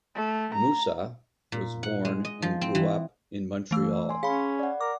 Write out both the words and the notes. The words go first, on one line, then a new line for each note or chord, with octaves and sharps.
Moussa was born and grew up in Montreal.
A3
A#5
A#2
F#5
G#3
D#5
F3
C4
E3
E3 A3 E6
G#5 C6
C#4 G#4 C#5 F5 B5 B6
D5 F#5
A#4 D6